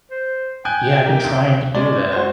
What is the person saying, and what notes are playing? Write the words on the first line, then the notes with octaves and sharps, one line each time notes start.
Yeah, I've been trying to do that.
C5
G5 G#5 F#6 G6
G4 A#4
D2
G#3 C#4 D5
F#4 C5